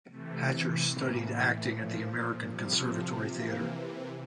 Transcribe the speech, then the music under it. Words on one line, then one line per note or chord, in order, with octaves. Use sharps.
Hatcher studied acting at the American Conservatory Theater.
C3 E3 A3
A2 E3 A#3
A#2 F3 A3
F3
C3 F3 G3
C3 E3 A#3